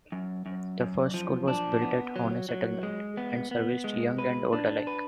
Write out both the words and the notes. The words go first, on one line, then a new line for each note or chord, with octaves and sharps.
The first school was built at Horne Settlement, and serviced young and old alike.
F#2
F#2
F#2
F3
D4
B3
F#3
F#3
G#3
B3
B3
G#3
B4
D4
B4